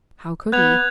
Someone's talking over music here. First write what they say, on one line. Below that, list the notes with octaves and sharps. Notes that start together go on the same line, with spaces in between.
How could he?
B3 F#6 G#6 F7